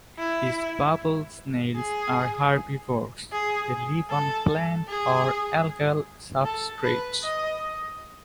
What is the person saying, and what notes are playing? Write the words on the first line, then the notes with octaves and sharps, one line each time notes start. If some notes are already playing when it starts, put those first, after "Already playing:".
These bubble snails are herbivores; they live on plant or algal substrates.
E4
G#4
G#4
A4
G#4
A4
B4
D#5